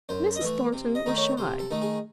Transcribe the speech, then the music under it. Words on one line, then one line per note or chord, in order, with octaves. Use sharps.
Mrs. Thornton was shy.
F#2 C5
D#5
E3 A3 E5
C3
D#5
D#3 A3 D#4
C#5
C3 C5
A4
D#3 A3 D#4
G#4